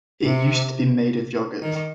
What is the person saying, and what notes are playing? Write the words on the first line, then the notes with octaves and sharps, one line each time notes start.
It used to be made of yogurt.
C3
D#3